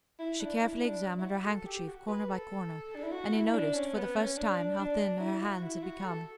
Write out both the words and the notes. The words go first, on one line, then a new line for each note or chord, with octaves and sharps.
She carefully examined her handkerchief corner by corner, and he noticed for the first time how thin her hands had become.
E4
D4
E4
D4
E4
F#4
A4
G4
F#4
B4
A4
D4
E4
F#4
E4
D4
C#4
B3
C#4
D4
D4
D4
E4
F#4
E4
F#4
A4